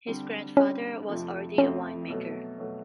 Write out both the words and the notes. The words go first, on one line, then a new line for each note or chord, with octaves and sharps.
His grandfather was already a winemaker.
D3 G3 C4
D3 G3 C4 C#4
F2 C3 F3 A3 C4
F2 C3 F3 A3 C4 C#4
B2 F#3 A3
B2 F#3 A3